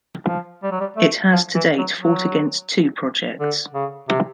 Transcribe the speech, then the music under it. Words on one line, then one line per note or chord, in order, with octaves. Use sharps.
It has to date fought against two projects.
F3
G3
F#3
G3
A3
F3
E3
F#3
F#3
D3
C#3
C3